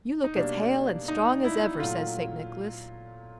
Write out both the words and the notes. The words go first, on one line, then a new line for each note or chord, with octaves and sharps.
"You look as hale and strong as ever," says St. Nicholas.
D#4
B2 G3 A#3 D4
D#4
E4
A#2 F#3 A3 F4